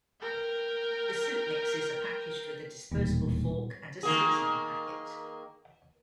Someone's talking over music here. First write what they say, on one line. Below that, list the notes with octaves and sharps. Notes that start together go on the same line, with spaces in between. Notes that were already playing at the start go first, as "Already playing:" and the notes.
The soup mixes are packaged with a disposable fork and a seasoning packet.
A#4 G5
E1 D#2 A#2 G3 B3
D#3 A#3 G#4